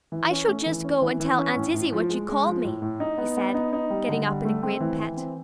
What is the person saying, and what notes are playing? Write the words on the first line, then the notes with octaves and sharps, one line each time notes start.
"I shall just go and tell Aunt Izzie what you called me," he said, getting up in a great pet.
E3
C#4
A3
E3
C#4
E3
E3
C#4
A2
A2
F3
G#3
G#3
F3
A2
A2
D#4
B3
B3
D#4
D#4
G3
D3
G3
A3
C4
E3
E3
C4